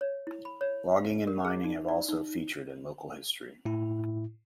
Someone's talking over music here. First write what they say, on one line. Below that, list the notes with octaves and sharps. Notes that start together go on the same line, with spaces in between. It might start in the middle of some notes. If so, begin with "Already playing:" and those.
Logging and mining have also featured in local history.
C#5
E4
B5
C#5
F5
A#4
G#4
D#4
D5
D#4
A2 E4